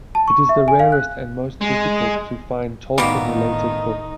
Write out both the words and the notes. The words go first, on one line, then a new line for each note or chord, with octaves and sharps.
It is the rarest and most difficult to find Tolkien-related book.
A5
C#6
E5
G#5
F5
F#6
G#3
A2 D#3 G3 A#3 B3 D#4 F#4